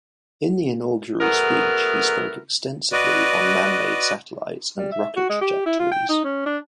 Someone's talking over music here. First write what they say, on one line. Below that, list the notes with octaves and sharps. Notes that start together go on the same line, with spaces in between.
In the inaugural speech he spoke extensively on man-made satellites and rocket trajectories.
F#3 A3 B3 G#4 A#4
F#4 B4 D5 D#5
G3
E5
F#4
G#3
G4
E4
F4
G5
D#4
C#4
D4